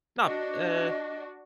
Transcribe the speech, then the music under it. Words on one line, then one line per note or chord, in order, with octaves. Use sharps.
not eh
D4 F#4 D#5